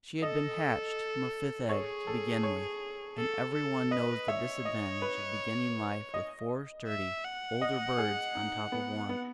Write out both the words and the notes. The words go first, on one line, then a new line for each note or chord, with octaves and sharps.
She had been hatched from a fifth egg to begin with; and every one knows the disadvantage of beginning life with four sturdy older birds on top of one.
A4 D#5
G#4 C#5
A4
C#5
A4
A4
B4 D#5
C#5 E5
D#5
B4
D#5
E5
F#5
D#5
G#4
D#4
B3
B3